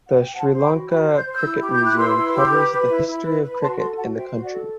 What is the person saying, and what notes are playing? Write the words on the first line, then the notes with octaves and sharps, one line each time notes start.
The Sri Lanka Cricket Museum covers the history of cricket in the country.
F#5
G5
C5 F#5 A5
C5
G5 B5
F#4
F#4 G5 B5
C5
G6
C5
E6 G6
E4
G4
G6
E4
F#6
B4 C6 E6
E4
G4
B4
B4
E4
E4
B4
B4
B5
F#4 A5 C6
A4 A5 C6
F#4 F#5 A5
C5 E5 G5
F#4
D5 F#5
A4